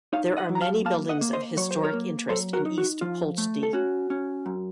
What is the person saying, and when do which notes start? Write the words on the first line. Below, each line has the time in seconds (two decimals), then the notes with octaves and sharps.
There are many buildings of historic interest in East Poultney.
0.13 D#4 C#5 F5
0.37 D#5 F#5
0.49 F#3
0.55 A#5
0.61 F5 A5
0.85 A#3 F5 A5
1.09 D#5 F#5
1.21 A#3
1.33 C5 D#5
1.57 F#3 C#5
1.71 C5
1.83 A#4 C#5
1.93 A#3
2.29 F#3 A4 C5
2.53 F#4 A#4
2.65 D#4
2.78 F#4
3.01 F3 F4
3.38 A3
3.63 A4
3.73 C#4 F#4
4.10 C#4
4.46 F#2